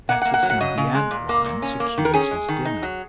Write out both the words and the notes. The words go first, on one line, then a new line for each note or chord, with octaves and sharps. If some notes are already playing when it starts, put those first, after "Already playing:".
That is how the Ant-lion secures his dinner.
A#3 F#5
F#5
A#3
F#5
F#3
F#5
C#3 D#5
C#3
G#3
A#2
A#3
A#2
C#4
A#3
D#3
A#4
C#4 G#4
G#3
D#3
D#4
F#3